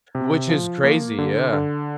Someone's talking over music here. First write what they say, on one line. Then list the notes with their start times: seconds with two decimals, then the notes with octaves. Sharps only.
Which is crazy. Yeah.
0.15 C3
0.49 F3
0.83 A#3
1.18 D3
1.53 D3